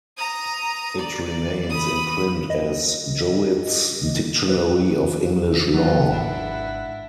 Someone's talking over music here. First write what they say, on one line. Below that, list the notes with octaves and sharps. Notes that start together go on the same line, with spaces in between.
It remains in print as "Jowitt's Dictionary of English Law".
A#5 D#6
D5
B5 D#6
D#5
B4
F#3 F4 F#5
G#1 G#2 D4 E4